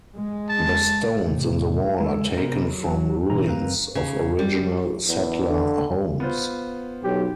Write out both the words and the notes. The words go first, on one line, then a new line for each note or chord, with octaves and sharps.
The stones in the wall are taken from ruins of original Settler homes.
G#3
A5
A2 C3
G#3 A4
C3 B3 G#4 A#4 C5
F#3
B2 E3 A#5
F#2 C4 A#4 B4 F5 A#5
C#3
G3
E2
D3
B3 F4 C5
B1 F#3 G4